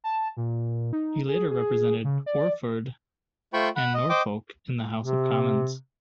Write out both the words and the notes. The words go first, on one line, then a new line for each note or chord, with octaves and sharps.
He later represented Orford and Norfolk in the House of Commons.
A5
A#2
D#4
G#4
G#4
C#3
D5
A3 F4 C5 G5 B5 C#6
F#5 B5
D#5
C5 D#5 G5 D6
C3